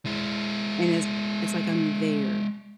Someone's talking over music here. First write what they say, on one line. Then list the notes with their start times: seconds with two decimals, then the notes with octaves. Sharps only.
and it's it's like I'm there
0.06 G#3 E4